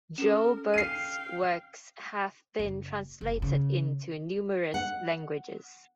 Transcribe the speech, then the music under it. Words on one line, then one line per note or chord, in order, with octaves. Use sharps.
Joubert's works have been translated into numerous languages.
C#4 A4 A#4 E7
F5 G5 C7 D#7
F#1
F1
C#3
F#5